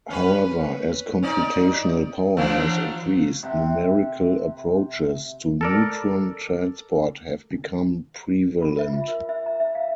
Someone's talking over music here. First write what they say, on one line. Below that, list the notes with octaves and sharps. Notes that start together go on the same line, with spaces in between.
However, as computational power has increased, numerical approaches to neutron transport have become prevalent.
C#4 B4
C#4 D#4 D5
E3 F#3 D4
C3 E5 F#5
A4 A#4 D5
B5
E5
F4
A#4
E5
A#5
E5
F5